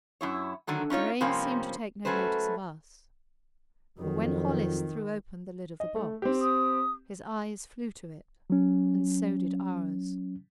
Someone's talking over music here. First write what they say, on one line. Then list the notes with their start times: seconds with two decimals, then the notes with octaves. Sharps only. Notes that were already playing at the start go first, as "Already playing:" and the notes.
Karain seemed to take no notice of us, but when Hollis threw open the lid of the box his eyes flew to it--and so did ours.
0.21 F#2 E4 C#5
0.67 D3 D#3 F#3 A3
0.90 C#4 D#4 F4 C#5
1.21 G2 C3 F3 A#3 C4 C#4
2.05 F#3 A3 C#4 B4 C5
3.99 F2 D#3 F#3
5.80 D#5
5.96 A3
6.22 C4 G4
6.42 D#6
8.50 F#3 C#4